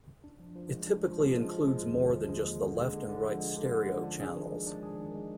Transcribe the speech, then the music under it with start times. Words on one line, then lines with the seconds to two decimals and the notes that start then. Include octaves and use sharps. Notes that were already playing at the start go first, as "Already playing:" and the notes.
It typically includes more than just the left and right stereo channels.
0.24 D4
0.39 F3
0.55 F3
0.71 G#3
0.87 D4
1.03 F3
1.19 F3
1.35 G#3
1.50 F3
1.66 G#3
1.82 D#2
1.98 D3
2.14 F3
2.29 G#3
2.46 D#2
2.61 D3
2.77 G#3
2.93 D3
3.09 D3
3.24 F3
3.40 G#3
3.56 D3
3.72 D3
3.88 F3
4.03 D4
4.19 G#4
4.35 D#3
4.51 G#3
4.67 D4
4.83 G#4
4.99 D#3
5.15 G#3